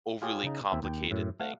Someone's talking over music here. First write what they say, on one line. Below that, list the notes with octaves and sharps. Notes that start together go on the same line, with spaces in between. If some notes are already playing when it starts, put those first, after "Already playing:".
overly complicated thing.
F4 G4 G#4 C#5
C#3 D#4
D#2 C4 E5
D#2 G5
F#2 A2
A3 F5 F#5